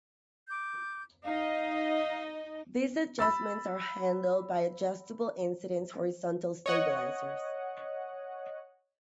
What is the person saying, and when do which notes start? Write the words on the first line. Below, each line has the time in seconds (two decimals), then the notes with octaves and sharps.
These adjustments are handled by adjustable incidence horizontal stabilizers.
0.49 D6 G6
1.24 D#4 D#5 F5
3.19 B5 E6 A6
6.66 C#5 D#5 F#5